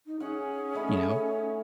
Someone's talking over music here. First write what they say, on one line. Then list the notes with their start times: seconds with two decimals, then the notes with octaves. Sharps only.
you know,
0.06 D#4
0.20 C#4 G#4 F#5
0.75 A3 D#4 B5